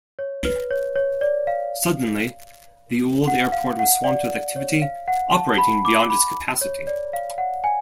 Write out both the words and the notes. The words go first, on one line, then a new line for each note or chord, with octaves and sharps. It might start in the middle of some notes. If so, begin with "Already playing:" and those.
Suddenly, the old airport was swamped with activity, operating beyond its capacity.
C#5
B4
C#5
C#5
D5
F5
F#5
F5
F#5
D5
C#5
F5
F#5
A5
B5
D6
B5
C#5
D5
F5
F#5
G#5